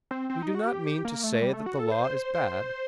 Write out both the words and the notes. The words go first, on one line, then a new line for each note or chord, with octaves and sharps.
We do not mean to say that the Law is bad.
C4
C4
D#4
F#4
G4
A#3
A3
G3
A3
F#4
A4
C5
C5
C5
C5